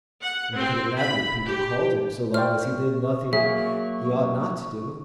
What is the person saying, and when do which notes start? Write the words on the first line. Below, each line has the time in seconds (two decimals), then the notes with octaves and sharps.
What could it matter what people called him, so long as he did nothing he ought not to do?
0.21 F#5
0.56 C4
0.98 B5
1.45 G4
2.34 C5 D5 G5 C#6 F6
3.33 F#3 A#3 G#4 E5